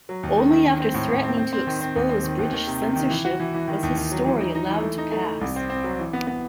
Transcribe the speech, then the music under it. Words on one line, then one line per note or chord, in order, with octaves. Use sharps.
Only after threatening to expose British censorship was his story allowed to pass.
F#3
D#2
D#3
D#3
D#3
C4
A2
A2
C4
C4
C4
D#3
C4
D#2
C4
D#3
D#2
D#3
C3
C3
D#3
E3
F#4
E3
E3
D#3
D#2
D#2
F#3
E3
D#4
D#4
E3
A3
D#4
A3
A3
C2
C4
C4
F#3
E3
B3
B3